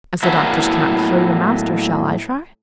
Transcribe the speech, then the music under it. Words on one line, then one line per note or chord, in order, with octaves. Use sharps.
As the doctors cannot cure your master shall I try?'
A2 F#3 A#3 B3 E4